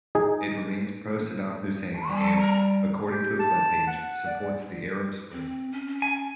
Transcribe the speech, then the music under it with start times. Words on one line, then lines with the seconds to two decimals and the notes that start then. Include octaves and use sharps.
It remains pro-Saddam Hussein and, according to its webpage, supports the Arab Spring.
0.15 D#4 G#4
2.05 G3
3.08 G4
3.40 A5
3.87 F#5
4.26 D5
5.32 C4
5.72 C#4
5.87 C#4
6.02 G#5